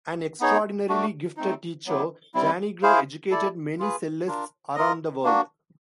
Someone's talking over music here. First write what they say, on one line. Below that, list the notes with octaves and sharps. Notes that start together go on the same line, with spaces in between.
An extraordinarily gifted teacher, Janigro educated many cellists around the world.
B3 D#4 G#4 C#5
A3 D4 F#4
A3 C4 D#4
F#3 B3 E4 G4
G3 C4 E4
E4 G#4 C5 F5
E4 A4 D5
F4 G#4 B4
D4 F4 A#4
F4 A#4 D#5
A#3 D4 F#4